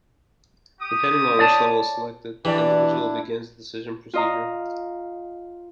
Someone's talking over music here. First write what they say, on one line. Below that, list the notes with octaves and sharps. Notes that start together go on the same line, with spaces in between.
Depending on which level is selected, the individual begins the decision procedure.
G4 D#6
C#5 D5 A5
E3 D4 E4 G4 D5
F4 D#5 A#5